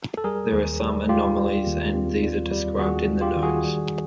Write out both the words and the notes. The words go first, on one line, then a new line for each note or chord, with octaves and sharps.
There are some anomalies and these are described in the notes.
A4
G3 G#4 A#4
D#2
G3
G3 F4 G4
G3
D#2
C4
G3
G3
D#2 F#4 G#4
G3
F4 G4
D#3
F#4 G#4
G3